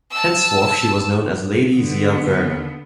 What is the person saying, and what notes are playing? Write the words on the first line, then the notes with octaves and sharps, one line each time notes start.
Henceforth she was known as Lady Zia Wernher.
A5 E6
D3 B3